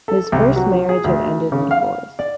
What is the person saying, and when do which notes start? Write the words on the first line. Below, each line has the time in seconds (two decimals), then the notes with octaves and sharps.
His first marriage had ended in divorce.
0.08 A4
0.32 C2
0.56 F#3
0.71 F3
0.89 G#4
1.04 D2
1.52 C#3
1.71 F5
2.19 D5